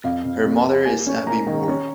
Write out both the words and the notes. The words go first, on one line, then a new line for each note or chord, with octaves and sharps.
Her mother is Abby Moore.
F2 F5
F2
F2
F2
A#3 G#5
C#4
A#3 A#5
D#3
C#4